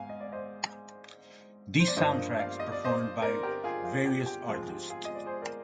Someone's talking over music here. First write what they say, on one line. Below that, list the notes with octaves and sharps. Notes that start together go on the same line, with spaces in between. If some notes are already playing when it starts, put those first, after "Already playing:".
These soundtracks performed by various artists.
Already playing: G#2 F5 G#5
D#5
D5
C5 D#5
C5
D5
G2 F3 A#3 D4 C5 D#5
D5 F5
D#5
D5
C5 D#5
A#4 D5
G4 A#4
F4 G#4
F4
G4
G4
G#2 F3 G#3 C4 F4
G4
F4 G#4
D#5
D5
G#4 C5
A#4 D5